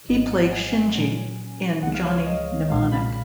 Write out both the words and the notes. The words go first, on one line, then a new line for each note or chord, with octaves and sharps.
He played Shinji in "Johnny Mnemonic".
G#1 G#2 F#3 D#5
F#5
G#5
A#2 F#3 C#4
C#2 C#3 G#3 F#5
F5
C#5
C#5
D#5
B1 A#2 G#3 F5
B5